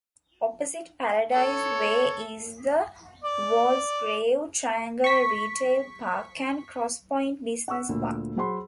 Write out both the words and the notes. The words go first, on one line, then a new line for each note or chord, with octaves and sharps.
Opposite Paradise Way is the Walsgrave Triangle Retail Park and Cross Point Business Park.
A4 C#5
D5
C#6 B6
F#5 C#6 E6
D2 A#2
F#3 G#4 C5 F#5 B5 C6